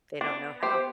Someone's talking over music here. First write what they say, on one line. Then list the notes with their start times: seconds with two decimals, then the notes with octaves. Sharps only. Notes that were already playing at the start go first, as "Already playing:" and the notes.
They don't know how.
0.21 B3 D4
0.63 G4 C5